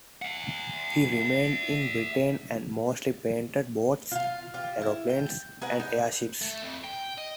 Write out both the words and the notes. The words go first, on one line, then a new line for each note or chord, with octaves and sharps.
He remained in Britain and mostly painted boats, aeroplanes and airships.
E5 F#5
F4 F5
F4 G4
E4
G5
G#4 A#4 B4 F#5
D#4
A3
F2
G5
D#5